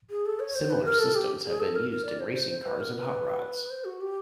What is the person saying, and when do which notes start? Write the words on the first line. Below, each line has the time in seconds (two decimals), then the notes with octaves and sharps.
Similar systems have been used in racing cars and hot rods.
0.11 G#4
0.26 A4
0.40 C#5
0.55 C5
0.70 B4
0.85 A#4
1.00 A4
1.15 G4
1.46 G#4
1.60 A4
1.76 A#4
1.90 A#4
2.05 D5
2.20 C5
2.35 C5
2.50 C5
2.66 B4
2.80 A#4
2.95 B4
3.70 C5
3.85 F#4
4.01 G4